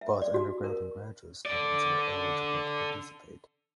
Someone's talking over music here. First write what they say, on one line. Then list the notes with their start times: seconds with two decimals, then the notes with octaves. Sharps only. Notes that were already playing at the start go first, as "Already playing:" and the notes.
Both undergrad and graduate students are eligible to participate.
0.01 E5
0.22 D5
0.34 F#4
0.64 A#4
1.45 D3 D5